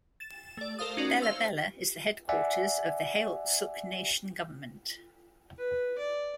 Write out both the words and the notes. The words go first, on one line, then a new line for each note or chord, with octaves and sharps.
Bella Bella is the headquarters of the Heiltsuk Nation government.
A6 E7
A3 D5
A4 A#4 C5 F5 D#6
C#4 D#4 F4 F#4 A#4 D5
C5 F5 E6
D5 E5 F#5 G#5
B4
D5